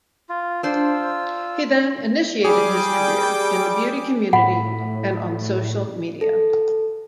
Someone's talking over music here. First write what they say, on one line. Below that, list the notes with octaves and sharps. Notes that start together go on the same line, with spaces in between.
He then initiated his career in the beauty community and on social media.
F4
D4 F4 C5 E6
G3 G#4 G5 D6
A2 F#5 B5
A4